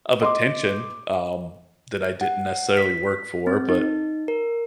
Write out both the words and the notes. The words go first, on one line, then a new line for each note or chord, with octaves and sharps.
of attention, um, that I didn't necessarily work for, but
D#5 C6 D6
F#5
B6
C4
D#4
A#4